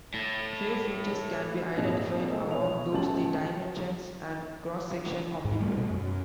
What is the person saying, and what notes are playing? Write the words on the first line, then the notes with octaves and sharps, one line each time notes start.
Few features can be identified, among those the dimensions and cross-section of the bone.
A2
G#1 D#2 A#2 D#4 G#4 A#6
A#2 G#3 A3 G#4 A4
B1 B3 C#5 F7
C#2 A2 G4 A5 F#7
G#2
G3 A3
B2
F#2